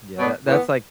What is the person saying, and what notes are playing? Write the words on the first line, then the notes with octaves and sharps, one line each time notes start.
Yeah. That that's like
B2 F#3 B3 D4
A2 E3 B3